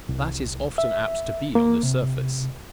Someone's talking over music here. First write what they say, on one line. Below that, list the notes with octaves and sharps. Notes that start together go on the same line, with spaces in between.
That is often apt to be on the surface.
C2
E5
A#3
C3